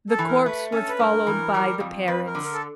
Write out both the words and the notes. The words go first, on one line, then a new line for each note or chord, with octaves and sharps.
The corpse was followed by the parents.
A4
E3
A#4
A3 B4
C#4 A4
B4
G2 A#4
E3
G3
F2
F2 B4
A#4
D3
A#4
A4